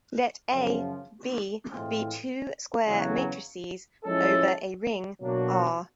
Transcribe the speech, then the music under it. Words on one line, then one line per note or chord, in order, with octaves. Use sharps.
Let "A", "B" be two square matrices over a ring "R".
F#2 C#3 F3
A2 E3 G#3 C4 F4
E2 C#3 F#3 B3
F3 G#3 C#4 E4 A4
B2 F#3 A#3 D4 F#4